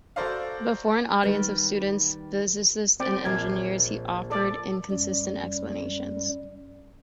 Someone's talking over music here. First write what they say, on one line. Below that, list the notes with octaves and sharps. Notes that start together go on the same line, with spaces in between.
Before an audience of students, physicists and engineers he offered inconsistent explanations.
F#4 A4 A#4 C5 D5 F5
D#3 G3 A#4 B4 G5
C4 D5 G5
A#1 A#3 G#6
A4 D5
F#2 G3